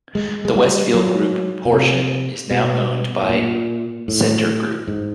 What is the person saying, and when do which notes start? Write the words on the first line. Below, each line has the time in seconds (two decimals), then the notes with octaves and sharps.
The Westfield Group portion is now owned by Scentre Group.
0.15 G#3
0.45 G#3
0.55 G3
0.94 F#3
1.65 B2
1.72 C3
2.51 B2
3.22 A2
3.29 A#2
4.08 A2
4.88 G#2